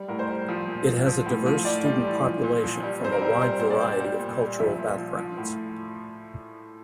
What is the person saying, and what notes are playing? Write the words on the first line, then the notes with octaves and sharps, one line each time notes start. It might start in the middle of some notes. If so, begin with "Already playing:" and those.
It has a diverse student population from a wide variety of cultural backgrounds.
Already playing: G3
A2 A#4
C5
G3
F3
A#2
F3
F3
A2
F3
A2 D5
G3
E3
F3
A#2
F3
G3
C3 C5
A#4
G3
G3 C5
A#2 C5
D5
G3
G3
A#2
G3
F3 E5
A#2
F3
F3
A2